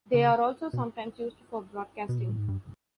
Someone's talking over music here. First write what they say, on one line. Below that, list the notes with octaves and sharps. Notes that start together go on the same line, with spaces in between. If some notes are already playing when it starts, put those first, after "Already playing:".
They are also sometimes used for broadcasting.
C#3
B2
B2
A#2
A2
G#2
G2